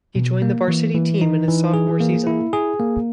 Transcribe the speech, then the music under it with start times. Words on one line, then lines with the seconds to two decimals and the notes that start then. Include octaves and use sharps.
He joined the varsity team in his sophomore season.
0.16 B2
0.42 A#3
0.68 E3
0.95 E3
1.21 D#4
1.48 E3
1.74 G#4
2.00 A#3
2.27 E4
2.53 G#4
2.80 A#3